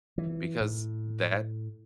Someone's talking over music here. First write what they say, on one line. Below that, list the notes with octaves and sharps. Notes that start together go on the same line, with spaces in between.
because that
E3
A2